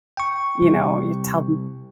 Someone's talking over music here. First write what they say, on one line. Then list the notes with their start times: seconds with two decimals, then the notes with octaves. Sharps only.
you know, you tell them
0.17 G5 C#6
0.62 C3 G3